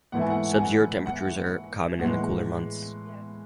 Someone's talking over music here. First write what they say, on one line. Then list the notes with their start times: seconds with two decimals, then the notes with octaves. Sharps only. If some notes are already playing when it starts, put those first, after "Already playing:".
Sub-zero temperatures are common in the cooler months.
0.12 G#2 E3 A3 E4 F#5
0.21 G#5
0.30 F#5
0.53 G#5
0.59 F#5
1.06 F#5
1.99 A2 E3 G#3 F#5